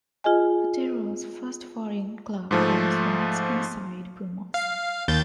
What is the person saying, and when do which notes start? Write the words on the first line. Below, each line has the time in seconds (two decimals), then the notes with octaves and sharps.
Botero's first foreign club was the Mexican side Pumas.
0.24 F4 G#4 D#5 G#5
2.51 G#2 F3 A3
4.54 F5
5.08 D#2 G6 A6